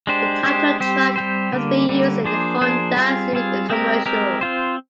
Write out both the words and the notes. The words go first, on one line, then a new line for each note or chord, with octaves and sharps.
The title track has been used in a Honda Civic commercial.
G#3 D4 G4 C5
G#3 D4 G4 C5
G3 C4 G4 C5
G3 C4 G4 C5
D3 G3 A#3
D3 G3 A#3
F3 A#3 D4 G#4 C5
F3 A#3 D4 G#4 C5
G3 C4 F4 G#4
G3 C4 F4 G#4
G#3 C4 G4 A#4
G#3 C4 G4 A#4
C4 F4 C5